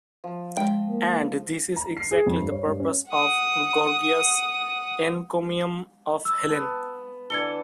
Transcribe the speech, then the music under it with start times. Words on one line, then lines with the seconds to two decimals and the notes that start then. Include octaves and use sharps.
And this is exactly the purpose of Gorgias' "Encomium of Helen".
0.24 F3
0.57 G#3 G5
0.89 A#3
1.76 A#5
1.97 C7
2.11 G#4
2.26 F2
2.40 G2
2.52 C#5
2.66 G2
2.80 C#4
3.09 F#5 D#6
6.25 E6
6.49 B3 A5
7.30 D3 E3 A4 G#6 C#7 G7